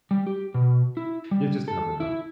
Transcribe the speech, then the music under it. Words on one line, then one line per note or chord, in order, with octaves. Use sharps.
you just never know.
G3
G4
B2
E4
G3
A4
E4